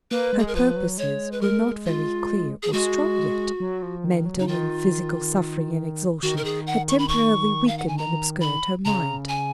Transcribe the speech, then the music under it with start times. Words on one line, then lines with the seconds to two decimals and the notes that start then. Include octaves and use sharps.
Her purposes were not very clear or strong yet--mental and physical suffering and exhaustion had temporarily weakened and obscured her mind.
0.11 A#3 B4
0.33 G#3
0.39 G#4
0.47 A#4
0.55 F3 B4
0.76 F#3
0.98 G#3 C#5
1.32 B4
1.41 A#4
1.86 F4
2.63 G#4
2.73 G#3 F#4
3.60 F#3
3.82 F3
4.05 D#3
4.25 F#3
4.37 C#3 D#4
4.47 D#3 F4
6.23 D#3 F#4
6.37 A#4
6.45 G#4
6.67 F#5
6.88 C#6
6.99 B5
7.08 C#6
7.67 F5
7.78 F#5
7.88 G#5
7.98 A#5
8.41 B5
8.85 C#3 A#5
9.28 G#5